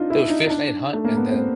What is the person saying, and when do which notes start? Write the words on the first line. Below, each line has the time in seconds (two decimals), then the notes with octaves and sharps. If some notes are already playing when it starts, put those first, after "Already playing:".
they would fish and hunt and then
Already playing: C4 D4 D#4 F4
0.10 E4
0.30 D#4
0.46 D#4
0.49 D4
0.93 A3
1.04 A#3
1.16 B3
1.29 C4